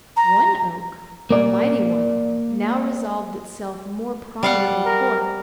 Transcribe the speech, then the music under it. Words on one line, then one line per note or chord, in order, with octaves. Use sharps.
One oak, a mighty one, now resolved itself more prominently forth.
A#5
A#3 D5
G3 F5 F#5
A#4